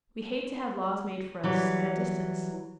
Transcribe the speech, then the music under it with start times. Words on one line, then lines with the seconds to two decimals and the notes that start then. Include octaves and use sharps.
We hate to have laws made for us at a distance.
1.43 E3 F#3 G3